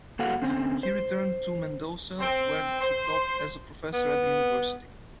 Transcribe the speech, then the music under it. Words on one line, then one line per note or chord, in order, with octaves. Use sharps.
He returned to Mendoza, where he taught as a professor at the university.
A#3 F#4 A4 F5 F#5
D3 C4 C#4
C5
C4
C5
B3